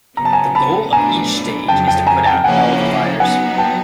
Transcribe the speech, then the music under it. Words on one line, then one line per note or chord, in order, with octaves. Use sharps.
The goal of each stage is to put out all the fires.
C#3 F#3 B3 A#5
A5
G#5 A#5
A5 B5
B2 F#3 A3 D4 G#5 A#5
F2 C#3 F#3 G5 A5
G5 A5
G#5 A#5
G5 A5
C#3 F3 A#3 C#4 E4 F#5 G#5
F#3 B3 D#4 F#5 G#5
G5 A5